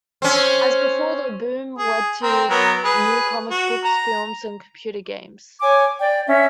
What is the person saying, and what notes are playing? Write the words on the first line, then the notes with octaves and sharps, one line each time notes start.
As before, the boom led to new comic books, films and computer games.
C4 C#4
G#4
C4 A#4
F#3 B3 A#4
G#4 B4
F#4
A#5
C#5 G#5 D6
D5 G5
C#4 E5